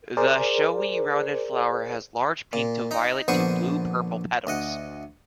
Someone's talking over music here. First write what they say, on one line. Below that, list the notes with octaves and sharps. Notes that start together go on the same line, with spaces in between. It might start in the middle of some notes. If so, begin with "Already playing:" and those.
The showy, rounded flower has large pink to violet to blue-purple petals.
G#4 A#4 C5 D5
A#2
D#4 A#5
A#1 D3 B3 C5 C#6 D#6
D2 D#5 F#5